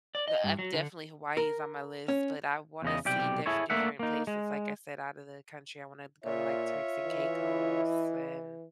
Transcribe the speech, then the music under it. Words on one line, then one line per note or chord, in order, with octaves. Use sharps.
the, uh definitely Hawaii is on my list, but I wanna see diff different places, like I said, outta the country. I wanna go to, like, Turks and Caicos and,
D5
D#5
G2
F#3
D3
A#4
C#4
E2 C#3 D#5
B1 C3 G4 D5 G5
E4 G#4 A4 C#5
A3 A#3 D4 E5 F#5
A#3 D#4
G#3
A#2 F4 C#5 E5
E3 E4 D#5